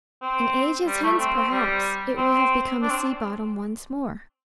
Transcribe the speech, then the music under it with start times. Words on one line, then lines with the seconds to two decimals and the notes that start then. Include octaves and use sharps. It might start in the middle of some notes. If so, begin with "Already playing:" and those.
And ages hence, perhaps, it will have become a sea-bottom once more.
0.22 C4
0.87 G3
1.03 A3
1.20 C4
1.35 C4
1.52 G3
2.17 C4
2.82 D4
2.90 C4